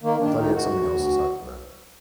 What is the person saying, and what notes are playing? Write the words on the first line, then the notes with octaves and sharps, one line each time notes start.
I thought he had something else aside from that.
D#3 A#3
D#3 D4
D2 D#4
D2 F#4
D2
D2